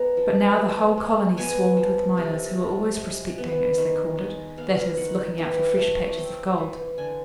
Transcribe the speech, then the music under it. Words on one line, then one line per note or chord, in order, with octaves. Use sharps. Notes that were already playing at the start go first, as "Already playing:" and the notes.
But now the whole colony swarmed with miners, who were always prospecting, as they called it--that is, looking out for fresh patches of gold.
Already playing: G#3 B3 A#5
F3
F3
G#3
B3 G#5
F3
C3
F3
G#3
B3
D#3
G#3
B3 F5
D#3 F#5
E3 G5
A3
C4 G5
E3
D3 G#5